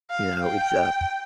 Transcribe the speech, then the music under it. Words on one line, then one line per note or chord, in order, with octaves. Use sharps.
You know? It's a
F5
G5